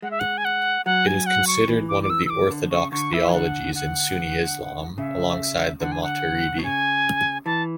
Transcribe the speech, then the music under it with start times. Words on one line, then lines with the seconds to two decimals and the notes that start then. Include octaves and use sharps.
It is considered one of the orthodox theologies in Sunni Islam, alongside the Maturidi.
0.02 G#3 F#5
0.11 E5
0.20 F#5
0.38 G#5
0.45 F#5
0.85 F#3 F#5
1.07 G#5
1.26 F#5
1.47 C#6
1.68 E3
1.89 D6
2.03 D6
2.10 E6
2.26 E6
2.30 D6
2.50 D3
2.71 C#3 C#6
2.92 D3 C#6
3.12 E3 E5
3.28 G#5
3.33 D3 F#5
3.75 F#5
4.98 C#3 E5
5.80 D3 F#5
5.92 G#5
6.03 F#5
6.58 B2
6.63 C#3 G#5
7.45 E3 A5